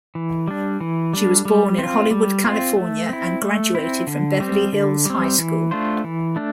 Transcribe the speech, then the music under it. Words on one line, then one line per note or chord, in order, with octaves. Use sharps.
She was born in Hollywood, California and graduated from Beverly Hills High School.
E3
G3 D4
E3
G3 D4
G3
C4 F4
G3
C4 F4
A3
C4 E4
A3
C4 E4
D3
G3 C4
D3
G3 C4
E3
A3 D4 F4 C5
E3
A3 D4